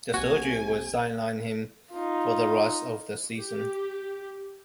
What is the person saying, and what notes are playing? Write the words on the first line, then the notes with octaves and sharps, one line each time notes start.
The surgery would sideline him for the rest of the season.
B1 C3 A#3 F#4 G#5
D#4 F4
G4